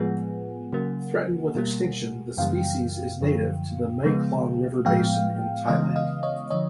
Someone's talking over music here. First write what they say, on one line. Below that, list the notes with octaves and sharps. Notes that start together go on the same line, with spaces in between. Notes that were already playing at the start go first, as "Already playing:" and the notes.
Threatened with extinction, the species is native to the Mae Klong river basin in Thailand.
Already playing: A2 F3 G#3 B3 F#5 G#5
C#3 F#3 A#3
B2 G3 A#3
F#2 C#3 E3 G3 A#3 F5 G5
F#2 D3 F3
C#3 F3 G#3 B3
A2 F3 G#3 B3 F5 G5
C#3 E3 G#3 B3 D#5 F5
D#5 F5
C#5 D#5
D3 F3 C#5 D#5